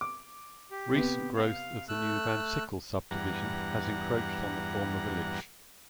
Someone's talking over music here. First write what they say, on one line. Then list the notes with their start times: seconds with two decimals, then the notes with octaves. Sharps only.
Recent growth of the new Vansickle subdivision has encroached on the former village.
0.01 D6
0.71 G4
0.93 C3 B3
1.36 F5
1.89 A3 E6 F#6
3.11 E2 G2 F#5 A#5